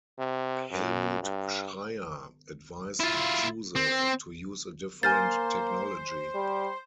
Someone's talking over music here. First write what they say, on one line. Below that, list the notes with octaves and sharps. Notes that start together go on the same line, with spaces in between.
Helmut Schreyer advised Zuse to use a different technology.
C3
F#2
G2
E4 F4
C4
A#3 C5 G#5 F6 A6
G3